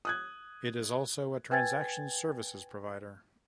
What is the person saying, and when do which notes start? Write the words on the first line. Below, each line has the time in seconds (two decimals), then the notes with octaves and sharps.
It is also a transaction services provider.
0.05 D#6 F#6 G#6
1.51 B4 G5 G#5 G#6 A6